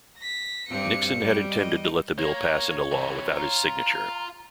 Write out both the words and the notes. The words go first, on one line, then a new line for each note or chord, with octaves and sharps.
Nixon had intended to let the bill pass into law without his signature.
A#6 B6
G2 C4 C#7
G3
D#5
A#3 C#5
C3 E3
F4 A#5